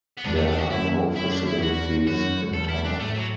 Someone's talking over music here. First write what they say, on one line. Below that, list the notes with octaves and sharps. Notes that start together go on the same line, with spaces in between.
There are no facilities in town.
B3
E2 D4
A3
D4
F#4
F#2 E4
F#2 E4
D4
E4
E2 F#4
F#2 F#4
E2 A4
E4
D4
A2 A3
F#3